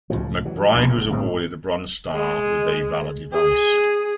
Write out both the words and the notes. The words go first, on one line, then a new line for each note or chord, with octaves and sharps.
McBride was awarded a Bronze Star with a Valor device.
C#2 A2 F3
E3 F#3
E1 A#1 D#2
F#1 E2
G1 A2 G#3 C4
G#3
G#4